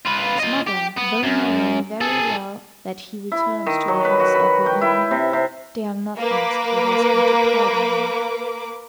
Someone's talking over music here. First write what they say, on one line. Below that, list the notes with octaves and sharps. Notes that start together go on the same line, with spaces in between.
His mother, though knowing very well that he returned to the house every evening, dare not ask her husband to pardon him.
F4 B4
F4 D#5
G4
B3
F#2
G#4 A4
E4
D#3
F#3
B4
F#4
B5
G5
E4
C3
C3
A#3 B4 D6